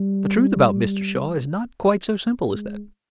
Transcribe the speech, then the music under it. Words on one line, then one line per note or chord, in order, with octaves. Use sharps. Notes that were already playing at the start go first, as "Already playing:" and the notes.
The truth about Mr. Shaw is not quite so simple as that.
Already playing: G3
G#3